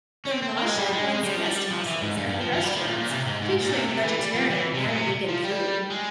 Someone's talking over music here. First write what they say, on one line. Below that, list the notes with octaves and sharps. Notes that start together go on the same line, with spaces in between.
The moshav runs guesthouses and restaurants featuring vegetarian and vegan food.
C#4
C4
C4
A#3
G#3
G3
G#3
G#3
G3
F3
G3
F3
E3
G#2
G2
G2
F3
F3
G3
F3
A#2
A#2
C3
G#2
G#2
A#2
C3
C3
E3
G3
F3
E3
C3
A#2
C3
F3
G3
G#3